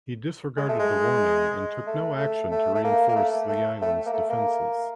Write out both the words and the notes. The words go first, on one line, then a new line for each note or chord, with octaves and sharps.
He disregarded the warning and took no action to reinforce the island's defenses.
G#3
A3
G#3
A3
A3
A3
A3
A#3
A#3
A3
A3
A3
A#3
A3
A#3